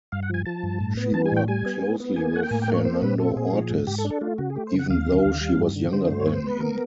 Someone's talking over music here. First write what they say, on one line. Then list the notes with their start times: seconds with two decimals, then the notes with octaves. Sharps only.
She worked closely with Fernando Ortiz even though she was younger than him.
0.12 G2 F5
0.23 F#5
0.30 F3 G#5
0.45 F3 A5
0.63 G2
0.80 A2
0.97 B3
1.14 E3 A5
1.26 G#5
1.32 A2 G5
1.48 G3 G#5
1.66 B3
1.83 B3
2.00 B3
2.16 A#3 G#5
2.33 A#3 F#5
2.43 G5
2.51 A2 G#5
2.62 G5
2.68 A#3
2.74 C#5
2.85 C4 C5
3.02 A#2 B4
3.19 C4 A4
3.36 A#2 G#4
3.53 F3
3.71 G#2
3.87 G#2 G4
3.98 A4
4.05 D4
4.10 A4
4.21 A3 F4
4.38 C#3 F#4
4.50 G#4
4.56 A3 G4
4.67 C5
4.73 C#3
4.79 F#5
4.90 D#2 F5
5.08 D3
5.25 D#2
5.41 G3
5.59 G2
5.76 D3
5.93 D3 C5
6.09 G2
6.20 C#5
6.27 B3
6.33 C5
6.44 B3 B4
6.60 B3 A#4